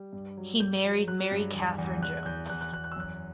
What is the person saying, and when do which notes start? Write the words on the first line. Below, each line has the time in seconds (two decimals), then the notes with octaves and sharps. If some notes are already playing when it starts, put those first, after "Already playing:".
He married Mary Catherine Jones.
Already playing: G3
0.13 G2
0.37 F#3
0.60 G2 G6
0.85 F#3
1.08 F#3 F#6
1.32 G2
1.55 E2
1.78 E2
2.02 E2 F#6
2.25 E2 G6
2.49 E2 F#6
2.61 F#6
2.72 E2 F#6
2.84 F#6
2.92 E6
2.96 F#2 F#6